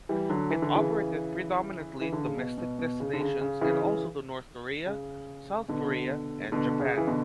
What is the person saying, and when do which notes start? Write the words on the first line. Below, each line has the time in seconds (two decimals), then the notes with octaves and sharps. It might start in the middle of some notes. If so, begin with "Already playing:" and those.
It operated predominantly domestic destinations and also to North Korea, South Korea and Japan.
0.09 E3 G3
0.30 D3 F#3
0.50 E3
0.62 D3
0.75 C#3 E3
2.01 E3
2.13 D3
2.25 C#3
2.37 B2
2.58 B2
2.79 B2
3.00 C#3
3.13 D3
3.21 C#3
3.41 C#3
3.61 C#3 E3
3.82 C#3 E3
4.86 C#3
5.69 B2 D3
6.52 B2 D3
6.80 C#3
6.98 E3
7.07 B2 D3